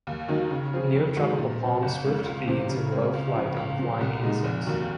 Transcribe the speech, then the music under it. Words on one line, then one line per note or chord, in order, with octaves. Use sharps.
Neotropical palm swift feeds in low flight on flying insects.
D#2
D#3 F#3 A#3 D#4
C#3
F3 C4 F4 G#4
F2
D#3 G#3 D#4 F#4
A#2
F#3 C4
F#1
F2 C#3 G#3
C#2
C3 F3 C4
C#3
G#3 C4
C#2
C#3 F3
C#2
C3 F3
C2
A#2 G#3 D#4
F1
D#2 D#3 F#3